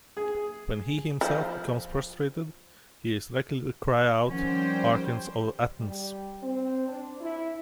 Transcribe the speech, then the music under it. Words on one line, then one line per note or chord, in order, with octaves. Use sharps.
When he himself becomes frustrated, he is likely to cry out, Archons of Athens!
G#4
F3
D#3 F3 G3 C#4 C5 F#5 G5
G3
C4
D4
E4